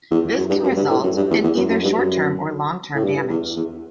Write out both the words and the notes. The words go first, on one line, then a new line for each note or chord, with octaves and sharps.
This can result in either short-term or long-term damage.
E2
F#2
G2
F#2
G2
A2
F#2
G2
E2
E2
F#2
F#2
G2
F#2
A2
G2
E2
E2